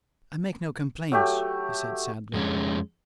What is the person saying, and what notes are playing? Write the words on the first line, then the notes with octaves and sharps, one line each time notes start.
"I make no complaint," he said sadly.
F#3 A3 G4
F2 G#3 C#4